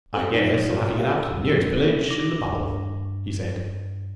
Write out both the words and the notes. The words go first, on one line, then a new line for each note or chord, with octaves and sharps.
"I guess I'll have to get out to the nearest village in the bubble," he said.
C4 G4 A4
D#4
G#2 F4 F#4 A4
F#4 G4 E5 F5
A4 E6
E6
A#3
D6 A#6
G2